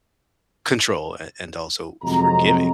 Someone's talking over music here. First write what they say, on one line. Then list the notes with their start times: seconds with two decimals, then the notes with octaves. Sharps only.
control an and also forgiving.
2.03 F2 C3 F#3 G#3 A#5